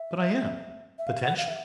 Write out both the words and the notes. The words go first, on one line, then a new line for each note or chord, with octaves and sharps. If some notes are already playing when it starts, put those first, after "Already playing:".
"But I am, potentially."
Already playing: E5
E5
F5
F#5
F5
E5